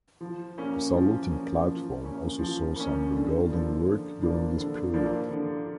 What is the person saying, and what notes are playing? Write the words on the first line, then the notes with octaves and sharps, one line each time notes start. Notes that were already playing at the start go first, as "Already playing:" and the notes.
The saluting platform also saw some rebuilding work during this period.
F3
A#3 C#4
F3
A#3 C#4
F3
A#3 C#4
F3
A#3 C#4
D3
F3 A#3 D4
D3
F3 A#3 D4
D3
F3 A#3 D4
D3